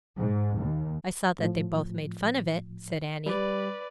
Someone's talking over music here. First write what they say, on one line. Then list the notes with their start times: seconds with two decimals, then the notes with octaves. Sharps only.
"I saw that they both made fun of it," said Annie.
0.17 G#2
0.60 D#2
1.39 A2 F3
3.26 G3 B4 D5